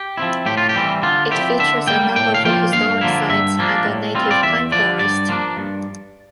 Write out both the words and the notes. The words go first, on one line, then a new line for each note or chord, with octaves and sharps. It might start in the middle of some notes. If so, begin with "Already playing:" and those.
It features a number of historic sites and a native pine forest.
Already playing: G4
F3 C4 E4
A2 G4
F4
G4
E3 G3 C4
D3 F4
F3 C4 E4 G4
D3 E5
G3 A#3 G5
A2 G5
F5
F3 A#3 F4 G5
G2 F5
D3 F3 A#3 E4
G2 E5
F3 A#3 D4
A2
G3 C4 F4
D5
E2 E5
D3 F3 D5
G2 D5
F3 A#3 D4
G2